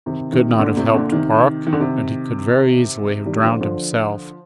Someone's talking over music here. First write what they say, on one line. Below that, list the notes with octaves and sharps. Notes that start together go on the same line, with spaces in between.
He could not have helped Park, and he could very easily have drowned himself.
C3 D#3
C3 D#3
A#2 D3
A2 C3
A#2 D3
C3 D#3
D#3
D3
C3 D#3
D#3 G3
D3 F3
D3 F3